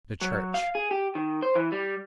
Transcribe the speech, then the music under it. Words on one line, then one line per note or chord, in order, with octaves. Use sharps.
The church...
F#3
F5
G#4
G4
D#3
C5
E3
G3